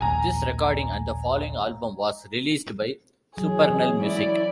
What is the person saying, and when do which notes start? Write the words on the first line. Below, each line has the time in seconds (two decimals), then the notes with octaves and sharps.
This recording and the following album was released by Supernal Music.
0.01 A#1 D#2 A#3 G#5 A#5
3.37 E3 F#3 G#4
3.70 E3 C#4
4.02 E4 D5